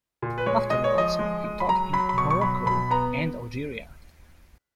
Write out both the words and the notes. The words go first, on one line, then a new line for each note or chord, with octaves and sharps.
Afterwards, he taught in Morocco and Algeria.
A#2
B4
G#3 C#5
G#3 D#5
C#5
F3 D#5
G#3
G#3
B5
F#3 A#5
F#3 B5
B5
B2 C#6
C#6
F#3 B5
B2 B5
B3 A#5